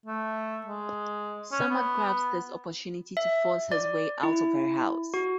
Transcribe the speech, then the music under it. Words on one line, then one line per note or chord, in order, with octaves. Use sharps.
Samar grabs this opportunity to force his way out of her house.
A3
G#3
C#4
B3
E5
D5
E4
F#4